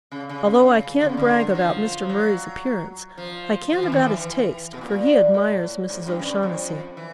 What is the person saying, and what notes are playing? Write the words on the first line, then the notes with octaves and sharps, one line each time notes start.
Although I can't brag about Mr. Murry's appearance, I can about his taste, for he admires Mrs. O'Shaughnessy.
C#3
C#3
C#3
D3
C#3
D3
F#3
F3
F3
F#3
F3
F3
E3
D#3
E3
B2
A#2
A2
G#2
G2
F#2
G2
F2
E3